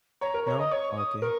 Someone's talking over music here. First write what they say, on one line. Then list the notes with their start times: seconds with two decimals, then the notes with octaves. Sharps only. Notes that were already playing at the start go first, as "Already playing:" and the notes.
No? Okay.
0.21 C#5 A#5
0.34 A#4
0.46 C#5 A#5
0.59 D#5 D#6
0.71 C#5 C#6
0.97 D#6
1.22 A#4 C#6